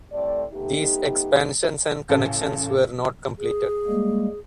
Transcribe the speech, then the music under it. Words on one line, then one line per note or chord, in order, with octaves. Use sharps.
These expansions and connections were not completed.
A2 G3 A3 C4 D5
A3 B3 D#4 G4
A1 C#3 A4
G#4
G3 G#3 A#3